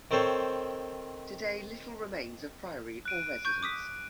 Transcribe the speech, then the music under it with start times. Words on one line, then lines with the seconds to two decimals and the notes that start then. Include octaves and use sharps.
Today little remains of priory or residence.
0.11 D#3 C4 A4 C5 C#5
3.05 F#6 D7 D#7
3.45 C#6 G6
3.63 D6 D#6 B6